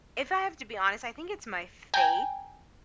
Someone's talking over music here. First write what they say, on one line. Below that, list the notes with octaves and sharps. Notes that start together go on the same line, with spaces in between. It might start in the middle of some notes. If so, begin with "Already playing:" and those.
if I have to be honest, I think it's my faith.
G5 G#5 A#5